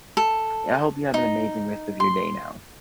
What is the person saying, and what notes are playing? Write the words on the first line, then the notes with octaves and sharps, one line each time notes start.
and I hope you have an amazing rest of your day now.
A4
D#4
C6